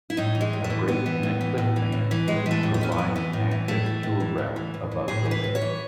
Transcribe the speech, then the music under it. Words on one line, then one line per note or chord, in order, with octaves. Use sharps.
A break in a cliff band provides access to a route above the lake.
E4
A2 D#4
E3
G#3
A2
A3
E3
A2 B3
E3
A2
E3
A2
E3
A2
E3
A2 G#3
E3
A3
A2
B3
E3 C#4
B3
A2
E3
A2
E3
A2 A3
E3
A2
E3
A2
E3
A2
E3
A2 G#4
E3
B4
A2
C#5
E3